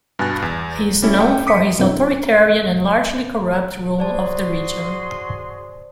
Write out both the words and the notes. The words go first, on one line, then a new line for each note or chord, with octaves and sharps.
He is known for his authoritarian and largely corrupt rule of the region.
G2 B2 G#5 F#6 A6
E2
G3 C#4 E4
G3 G5
D6 D#6 B6 C#7
F2 B2 D3 F#3 C4 E4
F#4 G#4 C5 D5 A5 C6